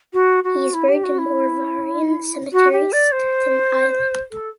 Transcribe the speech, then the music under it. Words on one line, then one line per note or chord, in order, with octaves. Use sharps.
He is buried in Moravian Cemetery, Staten Island.
F#4
F#4
E4
G4
F#4
E4
F#4
G4
D5
C5
A4